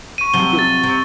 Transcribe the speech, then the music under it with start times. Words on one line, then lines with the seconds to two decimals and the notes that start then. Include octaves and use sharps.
You do.
0.18 C#6 D#7
0.34 C3 F3 F#3 G7
0.59 A6
0.83 C3